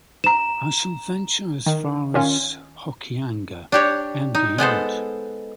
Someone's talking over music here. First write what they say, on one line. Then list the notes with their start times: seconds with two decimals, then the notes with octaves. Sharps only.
I shall venture as far as Hokianga, and beyond.
0.24 A#5 E7
1.66 D#3
2.14 D#3 C#4 F4
3.72 D4 G4 C#5
4.35 D#4
4.58 G#3 B3 A4 C5